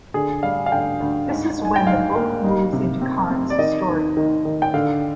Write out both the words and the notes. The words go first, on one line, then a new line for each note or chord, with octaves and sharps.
This is when the book moves into Khan's story.
D3 G#4
G3 F5
F5
D3 G5
D2
G#2
G#2
G#5
G5
G#2 F5
A#3
D#4
C3
C4
C4
D5
D#3 D#5
D#2
D#3
D#3
G5
D3 F5